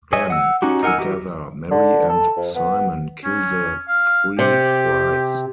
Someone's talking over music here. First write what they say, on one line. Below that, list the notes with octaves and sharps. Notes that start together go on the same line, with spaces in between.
Then, together Mary and Simon kill the three brides.
G#4 C#5 D#5 E5 G#5
F#5 E6
C#4 D#4 F#4 G4
D#4 A#4 F#5 G#5 E6
E3 F#4 G4
D3
A4
F2
B3
C#4
F5
C3 G4